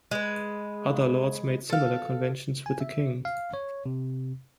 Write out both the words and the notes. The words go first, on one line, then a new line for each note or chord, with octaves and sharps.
Other lords made similar conventions with the king.
G#3 B4
A4 F5
G#5
E5
F5
C#5
C3